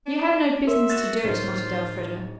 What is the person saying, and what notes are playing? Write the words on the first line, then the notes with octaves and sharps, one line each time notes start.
"You had no business to do it," muttered Elfreda.
D4
A#4 E5 C6
F#4 A6 E7
D1 D#4 F4 C5 C#5